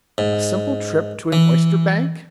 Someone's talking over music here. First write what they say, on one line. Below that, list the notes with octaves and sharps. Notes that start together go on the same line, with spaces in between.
"A simple trip to an oysterbank?"
G#2
E3